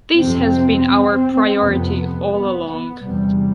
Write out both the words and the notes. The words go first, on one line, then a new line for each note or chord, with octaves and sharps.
This has been our priority all along.
F2 C3 C4
C4
F2 C3 B3
B3
B3
E2 C3 G3